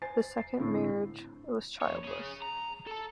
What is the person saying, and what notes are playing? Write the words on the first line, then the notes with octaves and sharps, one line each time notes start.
The second marriage was childless.
C5 G#5 A6 C7
C7
A2 D3 A3 C4 E4
F2 C#5
C#4 G#4
A#5
A4 A5